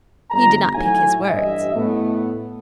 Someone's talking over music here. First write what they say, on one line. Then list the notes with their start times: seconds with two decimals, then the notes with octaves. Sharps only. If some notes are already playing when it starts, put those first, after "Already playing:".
He did not pick his words.
0.31 G1 A#5
0.75 A2 F#3 D#4 F#4 E5 G#5
1.28 A1 G2 D#5 E5
1.75 A2 A3 B3